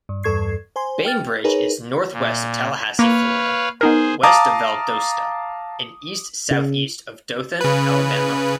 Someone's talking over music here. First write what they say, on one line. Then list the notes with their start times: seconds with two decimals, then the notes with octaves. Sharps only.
Bainbridge is northwest of Tallahassee, Florida; west of Valdosta; and east-southeast of Dothan, Alabama.
0.09 G2
0.24 E2 G2 A4 C#6 G#6 C7
0.76 C5 G#5 C6
1.05 G5 F6 A6
1.44 D#4 G#4 A#4 B4 C#5
2.13 A#2
2.99 A#3 B4 C#5 F5
3.81 B3 D#4 G#4 A#4 C5
4.23 F5 A5 A#5 D6 D#6
6.51 C#3
7.61 C#3 B4